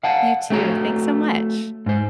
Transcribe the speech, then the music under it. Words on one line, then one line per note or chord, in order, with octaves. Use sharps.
You too. Thanks so much.
F5 F#5 A5
A3 C4 F#4 C#5 A#5
G#2 C5